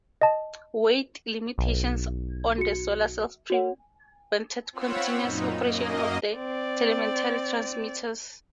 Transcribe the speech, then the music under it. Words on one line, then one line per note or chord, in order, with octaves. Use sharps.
Weight limitations on the solar cells prevented continuous operation of the telemetry transmitters.
D#5 A5
B1
F#4 C#7
F#4 C#5 F#5
C4 F4 C#5 F#5 B5 E6
F#2 A#2 D#4
F#2 A#3 D#5
C4 D5